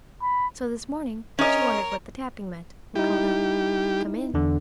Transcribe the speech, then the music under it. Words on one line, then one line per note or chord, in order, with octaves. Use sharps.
So this morning she wondered what the tapping meant, and called out: "Come in."
B5
C#4 A#4 C#5 D#5
G3 D#4 E4 G4
E2 D3